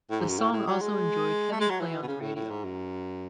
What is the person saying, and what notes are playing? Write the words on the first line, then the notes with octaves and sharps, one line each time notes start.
The song also enjoyed heavy play on the radio.
A2
G#2
F#2
A2
A2
F#3
G#3
A3
G#3
F#3
E3
B2
C#3
A2
A2
G#2
F#2